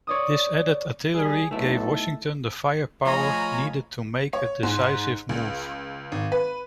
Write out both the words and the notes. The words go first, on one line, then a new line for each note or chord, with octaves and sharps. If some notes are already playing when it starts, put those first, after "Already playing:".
This added artillery gave Washington the firepower needed to make a decisive move.
C#5 D5 D#6
G3 G#4
B1 A3 D#4 E4 A4
F3 A3 F4 G#4 C#5 D#5 A#5 B5
C#5
G#2
C#2
G#1
B4